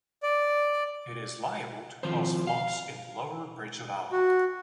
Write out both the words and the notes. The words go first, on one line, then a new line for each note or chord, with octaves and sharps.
It is liable to cause floods in lower Bridge of Allan.
D5
D#3 F3 C4 C5
F5
F#4